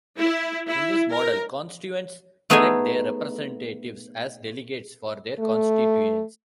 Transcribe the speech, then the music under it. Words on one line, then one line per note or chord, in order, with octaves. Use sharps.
In this model, constituents elect their representatives as delegates for their constituency.
E4
E4
A#4
A3 B3 D#4 G#4 D#5 G#5
A3